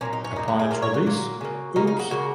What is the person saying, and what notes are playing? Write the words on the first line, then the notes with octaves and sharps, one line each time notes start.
Upon its release, Oops!...
A#2 F#3 A#3 C#4
D#4
C#4
A#2 F#3 A#3 D#4
F#4
G#4
A#2 F#3 A#3 A#4
C#5
F#4
A#2 F#3 A#3
C#3 A#3
C#3 A#3 D#4
D#4
F#4
C#3 A#3 F#4